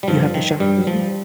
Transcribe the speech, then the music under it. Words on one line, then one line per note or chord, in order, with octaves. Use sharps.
you have the shotguns?
G3
G2 F3
D#3
G2 G3
F3